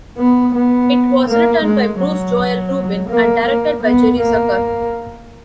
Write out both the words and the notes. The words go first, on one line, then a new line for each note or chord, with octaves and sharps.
It was written by Bruce Joel Rubin and directed by Jerry Zucker.
B3
B3
A#3
G#3
F#3
A#3
A#3
B3
A#3